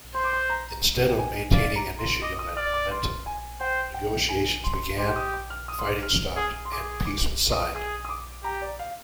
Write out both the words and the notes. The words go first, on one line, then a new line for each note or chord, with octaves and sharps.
Instead of maintaining initiative and momentum, negotiations began, fighting stopped and peace was signed.
C5 C6
D6
C6
A#5
G5
G#5
D5 F5
A#5
C6
D#5 D6
D#6
D5 F6
D6
C6
G#5
C5 G5
G5
G#5
C6
G4 C6
D#6
D6
F6
D#6
C6
D6
F6
G#4 D#6
C6
G#4 D6
D6
D#6
G#4 D#6
D#6
D6
G4 A#5
D5
F5